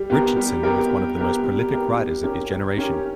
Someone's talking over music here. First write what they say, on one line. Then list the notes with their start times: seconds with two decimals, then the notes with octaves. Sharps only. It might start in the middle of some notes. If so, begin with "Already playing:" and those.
Richardson was one of the most prolific writers of his generation.
Already playing: G3
0.10 B3 G4 A#4
0.36 G3
0.63 B3 G4 A#4
0.91 G3
1.17 B3 G4 A#4
1.44 G3
1.70 B3 G4 A#4
1.97 G3
2.23 C#4 G4 A#4
2.50 G3
2.78 C#4 G4 A#4